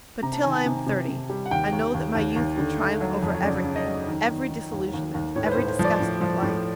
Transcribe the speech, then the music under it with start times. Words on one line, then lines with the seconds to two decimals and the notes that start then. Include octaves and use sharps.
But till I am thirty, I know that my youth will triumph over everything--every disillusionment, every disgust with life.
0.22 C3 A#5
0.33 A5
0.43 D#3 G#5
0.53 A5
0.66 C3
0.86 C3
1.08 C3
1.30 G3
1.46 F#5
1.51 D#2 G5
1.73 D#2
1.94 D#2
2.15 D#2
2.36 D#2
2.58 D3
2.79 A3
3.01 F#3
3.23 F2
3.34 C#5
3.43 C#3 D5
3.64 C#3
3.76 D#5
3.86 F#3
4.08 D#3
4.29 D#3
4.50 D#3
4.72 D#2
4.94 D#2
5.14 D#2
5.36 A2 C#5
5.46 B4
5.52 C5
5.57 A2
5.68 C5
5.79 F3
5.84 D5
6.00 A2
6.21 F3
6.42 A2